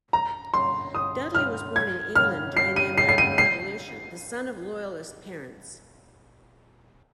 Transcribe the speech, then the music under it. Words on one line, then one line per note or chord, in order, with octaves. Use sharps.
Dudley was born in England during the American Revolution, the son of Loyalist parents.
A#5
C6
D#6
F6
G#6
F6
C7
D#7
C7
C7
D#7
C7